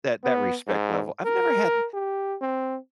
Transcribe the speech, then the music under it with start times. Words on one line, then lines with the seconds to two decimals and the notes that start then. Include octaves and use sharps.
That that respect level, I've never had
0.24 B3
0.67 G#2
1.25 A#4
1.94 G4
2.41 C4